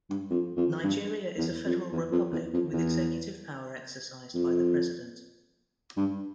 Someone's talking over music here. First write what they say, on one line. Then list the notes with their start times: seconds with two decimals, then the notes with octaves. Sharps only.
Nigeria is a federal republic, with executive power exercised by the president.
0.10 G2
0.30 F2
0.56 F2
0.83 G2
1.37 E2
1.65 F2
1.92 E2
2.11 F2
2.32 E2
2.53 F2
2.73 E2
4.34 F2
5.97 G2